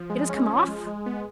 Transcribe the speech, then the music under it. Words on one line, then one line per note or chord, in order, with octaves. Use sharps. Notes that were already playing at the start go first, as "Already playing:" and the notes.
"It has come off?"
Already playing: F3
G#3
C#4
F3
G#3
G#3
B3